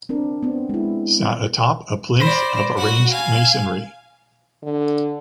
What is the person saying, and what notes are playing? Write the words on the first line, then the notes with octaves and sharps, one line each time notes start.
Sat atop a plinth of arranged masonry.
C4 D4 A#4
B3 C4
G#3 E4
C5 D5 B5 A#6
F#4 F#5
F5 G#5
D3